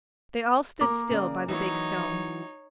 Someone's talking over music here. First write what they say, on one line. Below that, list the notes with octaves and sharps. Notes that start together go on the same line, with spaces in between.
They all stood still by the big stone.
A#3 A#4 D6
C#3 D5
E3 F#3 D#4 E4 C#5